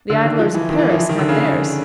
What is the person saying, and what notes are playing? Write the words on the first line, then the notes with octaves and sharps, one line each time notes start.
The idlers of Paris had theirs.
D3
D#3
F3
E3
D#3
E3
F3
E3
D#3
D3
C#3